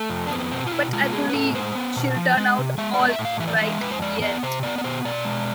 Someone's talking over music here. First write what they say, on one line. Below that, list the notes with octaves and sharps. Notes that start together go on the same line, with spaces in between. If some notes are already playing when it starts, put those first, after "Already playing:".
But I believe she’ll turn out all right yet.
Already playing: A3
F2
D4
B3 C4
B2 C4
F4
B2 E4
G#3 F4
F4
B3 G#4
B4
A2 A4
G#3 C5
B3
B2
F3
G#3
C3
G#3 E5
D5
B3
E5
A2
F5
E3 E5
D5
G#3 E5
F2 B4
C5
G#3 D5
B3 D5
C3 C5
B3 D5
D5
B2 C5
B2 D5
G#3